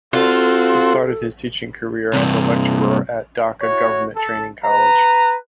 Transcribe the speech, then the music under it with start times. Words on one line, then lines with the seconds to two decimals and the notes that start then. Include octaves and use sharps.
He started his teaching career as a Lecturer at Dacca Government Training College.
0.13 C4 F4 F#4 A4
2.13 G2 C3
3.62 E4 F#4 C#5
4.16 A4
4.63 B4 A#5